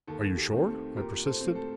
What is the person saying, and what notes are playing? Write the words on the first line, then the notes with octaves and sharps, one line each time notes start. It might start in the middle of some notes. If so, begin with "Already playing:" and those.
"Are you sure?" I persisted.
D#2 A4
G4
D#3 A3 C4
A4
A#2 G4 A#4
A4 C5
C4
A3
A4